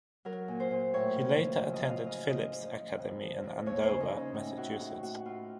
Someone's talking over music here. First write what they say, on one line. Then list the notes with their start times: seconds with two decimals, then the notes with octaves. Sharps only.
He later attended Phillips Academy in Andover, Massachusetts.
0.25 F#3 A#4
0.48 A#2
0.60 C5
0.71 A#2
0.94 A2 C#5
1.16 F3
1.39 A2
1.62 F#2
1.74 D#5
1.84 F#2 F5
2.07 C#3 D#5
2.30 F3 D#5
2.52 F3
2.75 F3
2.98 F2
3.21 F3
3.44 F3
3.66 D#2 C#5
3.83 C5
3.89 C#3
4.00 D#4
4.12 C#3
4.17 C#4
4.34 A2 D#4
4.57 A2 F#4
4.80 A2 F#4
5.03 A2 F#4
5.25 A2 F4